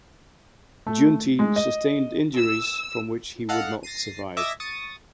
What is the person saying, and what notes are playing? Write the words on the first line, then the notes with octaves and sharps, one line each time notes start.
Giunti sustained injuries from which he would not survive.
A3
G#3
D#5
E6
A4 D#5 F5 F#5
A6 A#6 C7 D#7
D#5 E5 A5 D6 G#6 A#6
C#6 D#6 A6